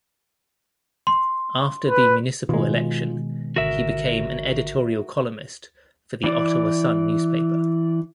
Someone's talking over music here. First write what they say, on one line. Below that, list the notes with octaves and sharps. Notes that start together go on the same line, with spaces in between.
After the municipal election, he became an editorial columnist for the "Ottawa Sun" newspaper.
C6
B4
B2 D#3 G#3 F4
G#1 D3 F#4 A#4 E5
E3 D5